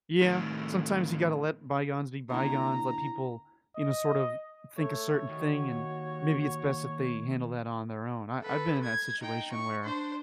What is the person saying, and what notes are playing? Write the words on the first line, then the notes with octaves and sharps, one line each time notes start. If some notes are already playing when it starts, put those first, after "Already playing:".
Yeah. Sometimes you gotta let bygones be bygones, let people, you know, sort of think a certain thing, and maybe it's best if they handle that on their own. I I've been in that situation where,
A2 D#3
A#2 D3 E4 A#5
D#5
A3 C#5
D#2 F#4
A4 B4
G#6
D#4 G5
C#6
D4 C5